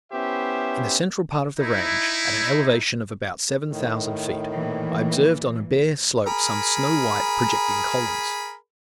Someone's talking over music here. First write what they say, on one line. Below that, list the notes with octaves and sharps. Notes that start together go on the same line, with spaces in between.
In the central part of the range, at an elevation of about seven thousand feet, I observed on a bare slope some snow-white projecting columns.
B3 C#4 E4 G4 C5 E5
D#4 E4
A2 D#3
A#2 E3
G#4 A#4 B5